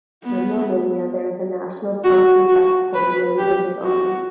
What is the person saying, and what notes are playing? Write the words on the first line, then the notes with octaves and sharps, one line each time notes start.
In Romania, there is a national poetry festival named in his honor.
B3
F#4
F#4
B4
G4
F#4